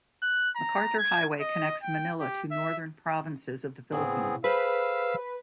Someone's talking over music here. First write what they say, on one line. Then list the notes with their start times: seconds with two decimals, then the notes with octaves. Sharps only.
MacArthur Highway connects Manila to northern provinces of the Philippines.
0.22 F#6
0.56 A#5
0.99 G#6
1.41 D#5
1.82 G5
2.20 G4
2.51 E5
3.92 A2 C#3 B3 C4 G#4
4.44 G#4 A4 B4 C5 F5 E6